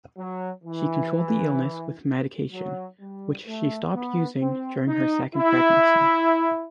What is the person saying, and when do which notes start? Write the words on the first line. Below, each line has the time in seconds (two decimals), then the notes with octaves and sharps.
She controlled the illness with medication, which she stopped using during her second pregnancy.
0.17 F#3
0.64 E3
2.53 F#3
3.00 G3
3.46 A3
3.94 B3
4.40 C4
4.87 D#4
5.34 E4